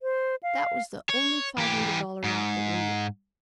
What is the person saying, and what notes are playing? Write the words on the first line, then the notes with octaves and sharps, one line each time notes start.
That was the only five-hundred-dollar lot that went.
C5
F5
C#5
E3 G4
G#2